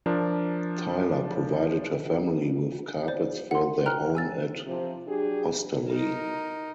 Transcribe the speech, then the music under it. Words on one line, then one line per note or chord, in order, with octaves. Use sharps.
Tyler provided her family with carpets for their home at Osterley.
F3 D4 A#4
C5 D5
F#5 C6
G5 A#5 F6 F#6
G#5 E6 A6
C3 F3
F#3 D4 G4 G#4
D#4 A#4